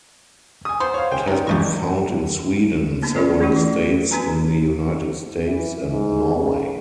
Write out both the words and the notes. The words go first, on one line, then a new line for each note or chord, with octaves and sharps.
It has been found in Sweden, several states in the United States and Norway.
G#5 D#6
B3 C5 C6
C#5 F5
G5 G#5
D#3 B3
F1 A#1 E2 G4 D#5 C#6
A#3 B3 D4
C#4 E4 F4 G#4 B4 D5
A3 C#4 E4 F#4
E3 D5
B3 D4 F#4 B4 G#5 A#5
E3
G#2
C#3